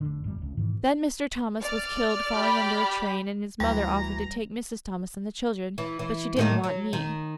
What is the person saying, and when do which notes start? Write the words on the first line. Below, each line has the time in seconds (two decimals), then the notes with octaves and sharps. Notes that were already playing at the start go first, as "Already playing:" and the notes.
Then Mr. Thomas was killed falling under a train and his mother offered to take Mrs. Thomas and the children, but she didn't want me.
0.01 F1 D3
0.24 G1 F2 B2 G3
0.38 F1 C#2
0.57 G#2 B2 D#3 E3
1.62 D5 F6
2.34 G4 B5
3.60 D2 E3 G3 A#5
5.78 E3
5.99 E3
6.36 A2 D#3 A#3
6.64 F#3
6.93 D#3